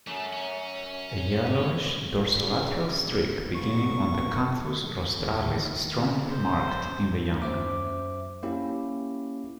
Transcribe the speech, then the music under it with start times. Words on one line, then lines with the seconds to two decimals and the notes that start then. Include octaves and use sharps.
A yellowish dorsolateral streak beginning on the "canthus rostralis" strongly marked in the young.
0.07 F#2 A3
0.33 C#4
2.48 F#2 C#3 E3
3.55 F1 B3 C#6
5.19 D#2
5.45 D2
5.63 D#3
6.31 C5
7.42 F#2 C5 E5 D6
8.43 A#3 C#4 E4 G4